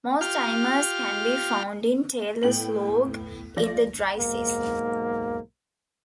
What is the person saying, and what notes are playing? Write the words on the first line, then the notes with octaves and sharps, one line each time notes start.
Most animals can be found in Taylor Slough in the dry season.
F4 G4 F6
A2 B3 G5 F#7
F3 D5 A#6
B1 G#2 A#3